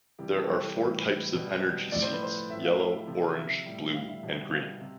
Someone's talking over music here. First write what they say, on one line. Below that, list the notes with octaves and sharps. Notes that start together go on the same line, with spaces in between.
There are four types of Energy Seeds: Yellow, Orange, Blue and Green.
C3 E3 G3 G4
A4
G4
A2 E3 G3 B4
B2 G3
A2 F3 D5
C5
B4
C5
A2 F3 E5
F5
C3 F3
E5
A2 G3
F5
E5
B2 G3
F5
C3